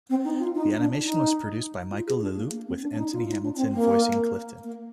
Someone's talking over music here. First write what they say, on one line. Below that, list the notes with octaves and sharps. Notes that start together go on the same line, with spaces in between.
The animation was produced by Michel Leloupe, with Anthony Hamilton voicing Clifton.
C4
D#4
F4
D#4
D4
D#4
F4
G#4
D4
A#3
A#3
C4
D4
D4
D#4
F4
D#4
D4
D4
C4
A#3
A#3